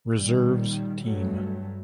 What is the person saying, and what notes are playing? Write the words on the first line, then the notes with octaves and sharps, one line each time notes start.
Reserves team.
A#2 D#3 G3
G2 F#3 G3 A3